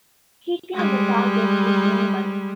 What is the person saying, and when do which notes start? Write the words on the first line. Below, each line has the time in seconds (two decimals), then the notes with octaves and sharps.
Heating of the target is minimal.
0.75 G3 G#3